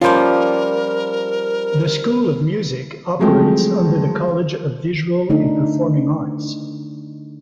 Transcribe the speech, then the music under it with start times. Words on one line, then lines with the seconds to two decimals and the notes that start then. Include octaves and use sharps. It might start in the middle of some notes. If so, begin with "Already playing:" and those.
The School of Music operates under the College of Visual and Performing Arts.
0.01 F3 G3 A#3 C#4 F4 A#4 C5
3.19 F3 F#3 G#3 A3 C4
5.30 D3 A3 D4 D#4